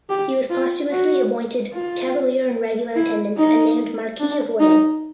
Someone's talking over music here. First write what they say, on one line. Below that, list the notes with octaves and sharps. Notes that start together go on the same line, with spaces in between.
He was posthumously appointed Cavalier In Regular Attendance and named Marquis of Wei.
G4
F4
F#4
F4
E4
D#4
D4
D#4